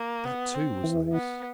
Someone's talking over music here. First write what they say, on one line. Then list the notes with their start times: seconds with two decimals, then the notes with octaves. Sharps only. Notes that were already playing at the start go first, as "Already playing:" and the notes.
That too was loose.
Already playing: A#3
0.25 B3
0.55 C4
0.84 E3
1.13 B3